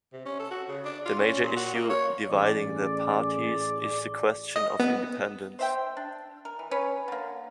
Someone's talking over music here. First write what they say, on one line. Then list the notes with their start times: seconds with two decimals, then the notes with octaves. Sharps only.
The major issue dividing the parties is the question of independence.
0.13 C3
0.25 C#4
0.39 A4
0.51 F#4
0.68 C#3
0.84 D4
1.05 F4
1.19 C#4
1.42 A#2
1.56 F#4
1.74 A#3
1.90 C#5
2.28 A1 G#4 D5
4.56 D#5
4.80 B3
5.59 C5 E5 G5
5.97 D4
6.45 A#4
6.59 E3
6.71 C#4 B4 C#5
7.08 D3 A#3